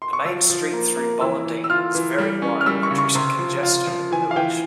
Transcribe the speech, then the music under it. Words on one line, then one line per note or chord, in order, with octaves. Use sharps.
The main street though Ballindine is very wide reducing congestion in the village.
C6
C#6
F3 E6
F3
A#3
A#3
E3 E6
E3
E6
F4 F6
E3
G3
C#4
F6
G3 E6
C#6
C#3
C#6
C3 C6
F3
F4
F3
E3 G#5
F5
E3 G5